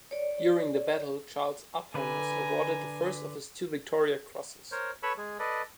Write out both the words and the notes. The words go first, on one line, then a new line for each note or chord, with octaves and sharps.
During the battle, Charles Upham was awarded the first of his two Victoria Crosses.
C#5 D5
D3 B4 G#5 A#5
A#4 C5 C#5
A4 B4 C#5 B5 C#6 E6
G#3 G#4
A4 B4 D5 D#5